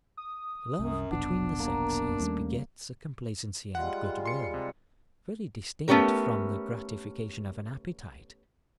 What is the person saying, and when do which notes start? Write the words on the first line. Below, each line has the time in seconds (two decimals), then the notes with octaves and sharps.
Love between the sexes begets a complacency and good-will, very distinct from the gratification of an appetite.
0.17 D#6
0.79 C2 F#2
1.11 F1 B1 B3 D4
1.60 A#3
2.20 D#2 G3 A3 C#4
3.75 G3 G#3 F4 F#5
4.26 C6 C#7
4.54 C3
5.88 A3 B3 C#4 G4 A#4